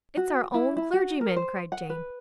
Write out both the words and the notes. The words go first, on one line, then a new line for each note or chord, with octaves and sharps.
'It's our own clergyman,' cried Jane.
F#4
E4
E4
F#4
A#4
C5
F#5
B4